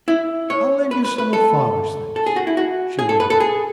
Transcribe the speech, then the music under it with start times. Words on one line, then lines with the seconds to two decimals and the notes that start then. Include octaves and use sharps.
"I'll lend you some of Father's things," she went on.
0.08 E4
0.50 C#5
0.91 B4
1.05 B4
1.18 B4
1.33 A4
2.16 A4
2.26 G#4
2.36 F#4
2.47 E4
2.57 F#4
2.99 G#4
3.09 A4
3.20 B4
3.30 A4
3.40 G#4